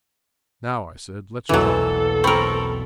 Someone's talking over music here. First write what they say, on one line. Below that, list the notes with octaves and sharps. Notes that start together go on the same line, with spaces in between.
"Now," I said, "let's drop."
B1 E2 E3 F#3 A#3 A4
C4 A#4 B5 C#6